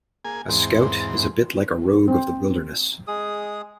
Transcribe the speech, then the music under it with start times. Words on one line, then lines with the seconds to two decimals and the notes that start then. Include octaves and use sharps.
A scout is a bit like a rogue of the wilderness.
0.25 A#3 G#4 G#5
0.49 E2 G#2 C4
2.08 C4
3.07 G#3 G#4 D#6